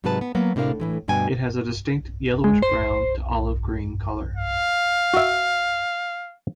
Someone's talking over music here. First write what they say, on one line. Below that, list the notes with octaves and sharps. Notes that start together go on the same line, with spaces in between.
It has a distinct yellowish-brown to olive-green colour.
G#2 C3 F#3 G#3 B4 A5
B3
F#3 A#3 B3
A2 C3 D4 A#4 F5
A2 E3 G#3
D2 G2 B2 G5 G#5
G#3
C5
F5
F#4 E5